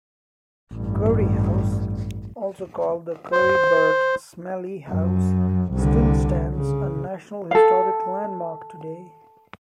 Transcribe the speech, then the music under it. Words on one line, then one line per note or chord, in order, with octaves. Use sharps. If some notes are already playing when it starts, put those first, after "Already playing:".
Curry House, also called the Curry-Burt-Smelley House, still stands, a National Historic Landmark today.
A1 G2
C5
F#2
C2 D3
C#3
A4 F5